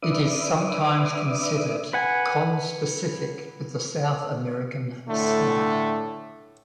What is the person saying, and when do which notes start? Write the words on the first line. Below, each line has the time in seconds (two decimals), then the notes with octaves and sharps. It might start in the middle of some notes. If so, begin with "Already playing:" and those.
It is sometimes considered conspecific with the South American snipe.
0.02 D4 B4 E5 D6 D#6
1.93 B4 F#5 G#5
5.08 A2 D3 A3